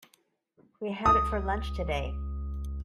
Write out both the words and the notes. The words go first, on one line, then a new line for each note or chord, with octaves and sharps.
We had it for lunch today.
C#2 D#6